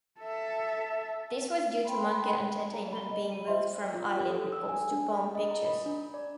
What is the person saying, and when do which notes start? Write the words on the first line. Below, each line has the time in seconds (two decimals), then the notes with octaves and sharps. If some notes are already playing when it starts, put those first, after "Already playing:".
This was due to Manga Entertainment being moved from Island Records to Palm Pictures.
0.20 A4 E5
1.86 G5 B5 C6
2.73 A#5
2.93 B5 G7
3.11 D#5
3.32 B5 D#7
3.47 F4 C5 D#5 E5 C6
3.94 F4
4.17 G4
4.29 A4
4.52 E6
4.69 G#5
4.91 D4
5.15 B5
5.35 D#5
5.51 A#5
5.65 B5
5.86 D4
6.14 D5